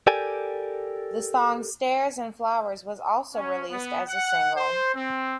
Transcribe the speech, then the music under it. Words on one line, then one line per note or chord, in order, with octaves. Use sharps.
The song "Stairs and Flowers" was also released as a single.
G4 A4 A#4 D5 G5 G#5
C#4
B3
F#5
C5
C4